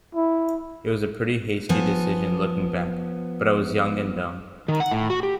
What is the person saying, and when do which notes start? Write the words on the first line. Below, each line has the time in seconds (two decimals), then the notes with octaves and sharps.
It was a pretty hasty decision, looking back, but I was young and dumb.
0.15 E4
1.69 F3 B3 G#5
4.68 D#3
4.80 F#5
4.91 A2
5.10 F#4
5.23 G4